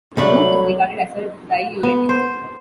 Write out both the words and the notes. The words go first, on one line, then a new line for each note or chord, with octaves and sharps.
The root is regarded as a diuretic.
C2 F#3 A3 D4 B5
B3
C5